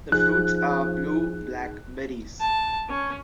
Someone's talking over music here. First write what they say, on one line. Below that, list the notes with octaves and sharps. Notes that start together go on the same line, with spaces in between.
The fruits are blue-black berries.
F3 D#4 G#4 F#6
A5
C#4